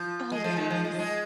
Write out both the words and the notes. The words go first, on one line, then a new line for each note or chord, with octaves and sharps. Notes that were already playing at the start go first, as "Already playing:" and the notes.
Oh, yes.
Already playing: F3
G#3
F3
D#3
F3
G#3
F3
G#3